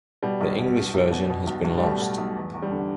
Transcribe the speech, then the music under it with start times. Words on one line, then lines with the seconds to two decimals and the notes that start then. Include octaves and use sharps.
The English version has been lost.
0.23 B2 G3
0.41 B1
0.58 B2
0.76 B2
0.94 B1
1.11 B2
1.30 B2
1.47 B1
1.64 B1
1.77 G3
1.82 B2 A3
2.00 B2
2.18 B1
2.36 E2
2.54 E2
2.62 G3
2.71 D3